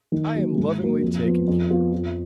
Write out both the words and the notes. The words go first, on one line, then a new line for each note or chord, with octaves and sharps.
I am lovingly taken care of.
D#3
F#3 A#3
G#2
F#3 A#3
F2
F3 B3
F2
F3 B3 F4
F2